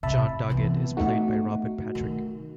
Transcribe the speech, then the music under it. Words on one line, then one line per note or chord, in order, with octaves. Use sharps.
John Doggett is played by Robert Patrick.
C3 E5 A5 B5
E3 B3 C4
A3 D#4 F#4
D#3